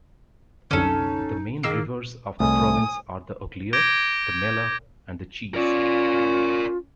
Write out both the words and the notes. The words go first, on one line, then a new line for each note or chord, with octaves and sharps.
The main rivers of the province are the Oglio, the Mella and the Chiese.
C2 F#2 D3 C#4 D#4 A4
D#3 A#3 G#4 E6 C7
C2 A3 G#5 D#6
D6 G6 G#6 A#6 D7 G7
C#4 F4 A#4 D5